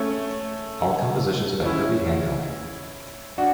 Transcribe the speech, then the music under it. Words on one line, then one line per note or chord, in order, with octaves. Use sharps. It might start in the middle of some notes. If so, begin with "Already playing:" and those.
All compositions by Herbie Hancock.
Already playing: A3 C#4
C#4 E4
D4 F#4